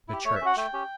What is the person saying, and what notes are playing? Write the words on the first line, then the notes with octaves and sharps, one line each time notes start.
The church...
E4 G4
A3 C#5
E5
C#4 F#4 F#5
A3 G5
C#4 G4